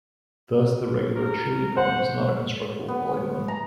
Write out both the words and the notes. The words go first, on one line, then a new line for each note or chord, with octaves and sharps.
Thus the regular chiliagon is not a constructible polygon.
A#4
C5 F#5
B3
A#5